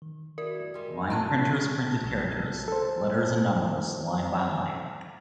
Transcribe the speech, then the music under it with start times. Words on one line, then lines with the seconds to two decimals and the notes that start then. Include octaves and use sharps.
Line printers printed characters, letters and numbers line by line.
0.02 D#3
0.38 E4 F#4 A#4 D5
0.74 G3 G#3
1.10 F3 A3 A5 A#5 F#6
2.04 B1 C#3 F3 E6
2.68 A4 C5